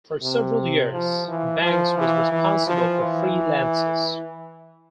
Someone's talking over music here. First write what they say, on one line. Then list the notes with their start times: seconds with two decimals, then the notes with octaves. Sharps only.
For several years Banks was responsible for freelances.
0.22 C3
0.92 F3
1.27 E3
1.62 F3
1.97 E3
2.32 E3
2.66 F3
3.01 E3